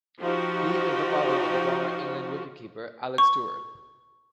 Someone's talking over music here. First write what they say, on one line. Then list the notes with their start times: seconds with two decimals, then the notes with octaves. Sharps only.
He is the father of the former England wicket-keeper, Alec Stewart.
0.19 F3 D#4 F#4 G4
3.18 C#6